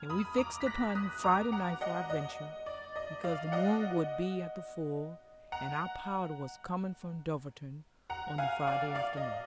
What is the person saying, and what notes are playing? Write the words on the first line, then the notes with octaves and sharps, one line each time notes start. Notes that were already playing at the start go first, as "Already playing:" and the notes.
And we fixed upon Friday night for our venture, because the moon would be at the full; and our powder was coming from Dulverton on the Friday afternoon.
Already playing: F6 G#6
B5 D#6
A#5 D6
B6
F#6 A#6
D#6 F#6
A#5 D6
F#5 A#5
D#5 F#5
D#5
D5
D#5
D5 F5
D#5 F#5
F#5 A#5
F#5 A#5
F5 G#5
D5 F5
D5 F5
D#5